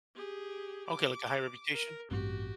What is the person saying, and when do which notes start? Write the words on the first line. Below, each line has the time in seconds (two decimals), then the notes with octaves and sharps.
Okay, like, a high reputation?
0.15 G4 G#4
0.88 D6
1.74 A#4
2.11 A1 G2 C4 F#4 G4